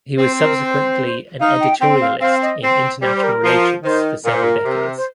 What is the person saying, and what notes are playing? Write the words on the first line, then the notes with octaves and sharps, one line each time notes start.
He was subsequently an editorialist in international relations for several decades.
C4 C5
A#4
C5
D#4 F5
G5
C4 G5
F5
C4 F5
D#5
C4
G3 C5
C5
A#4
F3
D#3 C5
A#2 A#4
C5
A#4
C3
C5